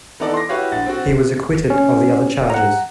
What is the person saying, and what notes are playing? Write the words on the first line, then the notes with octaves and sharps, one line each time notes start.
He was acquitted of the other charges.
E3 B3 D#4 A4 D5
C6 D6 A#6
E4 F#4 G4 B4 C#5 F5
A#1 F#5 A6
C4 F#4
C#4
F#5 A#5